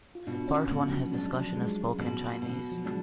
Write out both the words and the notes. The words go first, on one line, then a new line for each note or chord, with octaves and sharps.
Part One has discussion of spoken Chinese.
F4
B2 D4
C#4
B2 A3
F3
F#3
G#3 D4
F#3
F3
F#3 G#3
B2
B2
F3
F#3
G#3 D4